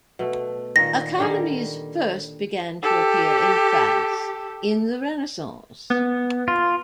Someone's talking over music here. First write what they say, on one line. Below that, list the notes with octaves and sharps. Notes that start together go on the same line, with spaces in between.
Academies first began to appear in France in the Renaissance.
B2 A3
A#2 D#3 A#6
D3 D#3 G3
G4 A4
B3
F4